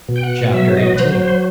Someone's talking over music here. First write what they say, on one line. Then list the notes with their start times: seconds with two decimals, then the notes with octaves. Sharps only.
Chapter XVIII.
0.08 B2
0.16 G5
0.23 F#5
0.54 F#3 E5
0.77 D#5
0.94 B4
0.99 F#3 C5
1.22 C5